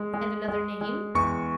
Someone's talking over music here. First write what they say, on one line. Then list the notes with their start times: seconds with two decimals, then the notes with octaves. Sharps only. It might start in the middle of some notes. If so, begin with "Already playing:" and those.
"And another name?"
Already playing: G#3
0.13 G#3
0.48 G#3
0.81 G#3
1.15 E2 C#6